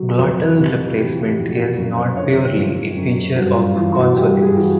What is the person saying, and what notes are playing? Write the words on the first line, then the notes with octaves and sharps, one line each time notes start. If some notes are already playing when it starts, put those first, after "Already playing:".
Glottal replacement is not purely a feature of consonants.
Already playing: F#3
F2 B4
C3
E3 G4
G4
F2
F#4
F#2 A#4
C5
D3 C#5
G4
F3
F#2
G2 F#4
F4
E3 F4
F#4
G2 G4
G4
G#4
E3 F#4